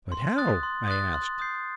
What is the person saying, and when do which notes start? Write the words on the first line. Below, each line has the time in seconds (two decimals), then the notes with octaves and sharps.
"But how?" I asked.
0.12 C6
0.38 D#6 F#6 A6
0.63 C6
0.88 D#6 F#6 A6
1.14 C6
1.39 D#6 G6 C7